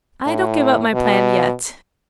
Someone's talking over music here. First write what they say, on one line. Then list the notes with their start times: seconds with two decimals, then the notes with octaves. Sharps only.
'I don't give up my plan yet.
0.27 A2
0.93 B2